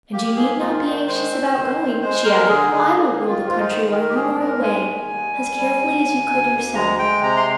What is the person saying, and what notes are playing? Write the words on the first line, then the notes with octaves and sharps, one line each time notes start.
'And you need not be anxious about going,' she added, 'for I will rule the country while you are away as carefully as you could yourself.'
A#3 G4
G#2 G#4
D#3 F4
F4
D#3 D#4
G#3 C5
C4
D#3
D#3
G#3 C5
G#3 A#4
D3 G#4
D3 G#4
A#3
D#3
F4
G#2
F4
D#4
D#3
D#3 A#4
G4
G#2 G#4
G#2 A#4
G#3 G#5
D#3
D#2
G3
G3
D2
D2
D2
D2
G#3 A#5
G#3 G5
C3 A#5
C6